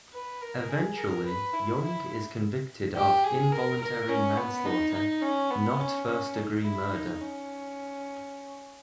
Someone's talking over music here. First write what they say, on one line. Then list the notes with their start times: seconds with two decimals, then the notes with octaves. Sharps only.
Eventually Young is convicted of involuntary manslaughter, not first degree murder.
0.13 B4
0.41 A#4
0.69 G#4
0.97 A#4
1.26 B4
1.53 E4
1.82 E4
2.96 G4
3.24 G#4
3.52 A#4
3.81 A#4
4.09 C#4
4.37 B3
4.65 D#4
4.94 D#4
5.22 C#4
5.51 B3
5.79 C#4
6.07 C#4
6.35 D#4
6.64 E4
6.92 D#4
7.21 C#4